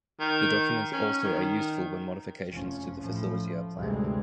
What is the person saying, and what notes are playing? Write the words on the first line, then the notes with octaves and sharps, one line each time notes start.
The documents also are useful when modifications to the facility are planned.
D#3
C#4
D#3
F1 F3 C#4
A2 F3
D2 G2 C3 G#3 C4